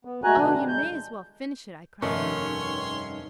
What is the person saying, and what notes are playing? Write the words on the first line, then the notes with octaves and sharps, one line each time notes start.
"Oh, you may as well finish it!" I cried.
B3
G#3 A3 F#4 G#5 A#5 F#6
B2 D3 D4
G3
G#3 G6
F1 G2 D#3 C#4 C#5 E5 C6